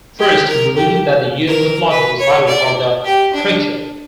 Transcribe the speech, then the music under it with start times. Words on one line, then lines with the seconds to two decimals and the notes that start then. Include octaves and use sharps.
First, he believed that the use of logic was vital for the preacher.
0.19 G4
0.47 A#4
0.76 G4
1.47 A#4
1.90 B4
2.20 C#5
2.48 D5
3.05 G4
3.34 D4